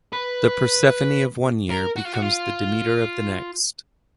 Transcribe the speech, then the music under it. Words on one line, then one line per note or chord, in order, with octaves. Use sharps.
The Persephone of one year becomes the Demeter of the next.
B4
A#4
F#4
F4
F#4
F4